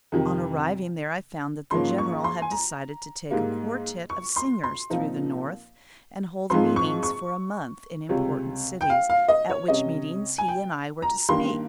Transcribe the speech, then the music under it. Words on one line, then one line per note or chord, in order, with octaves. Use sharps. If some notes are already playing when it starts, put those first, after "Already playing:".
On arriving there I found that the General had decided to take a quartette of singers through the North, and hold meetings for a month in important cities, at which meetings he and I were to speak.
F2 C3 D#3 G3
G#2 F3 A#3 C#4 C6
C#6
C6
G#5
A#5
G#2 G3 A#3
C#6
C6
C6
A#2 F3 C4 D#4
G#2 F3 C4 C6
C#6
C#6
C#2 C3 G3 C#4
G5
F5
F5
D#5
C#5
C3 G3 C#4 D#5
G#5
G5
A#5
G2 D#3 G3 A#3 C6